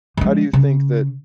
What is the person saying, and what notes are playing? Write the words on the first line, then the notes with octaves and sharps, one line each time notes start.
How do you think that
F3 G#3
C#3